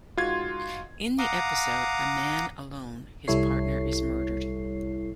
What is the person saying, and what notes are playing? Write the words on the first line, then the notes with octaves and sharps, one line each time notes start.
In the episode "A Man Alone" his partner is murdered.
G#2 F4 F#4 C6 G#6
F5 F#5 A#5 D6 D#6
C2 G3 E4 A4 C#5 C7